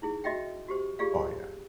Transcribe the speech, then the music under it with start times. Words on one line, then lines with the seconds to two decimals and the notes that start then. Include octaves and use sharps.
Oh, yeah.
0.02 D#4 E4 G#4
0.24 F#4 D#5 E5 G5
0.69 F#4 G4 C5
0.99 F4 G4 G#4 D5 F5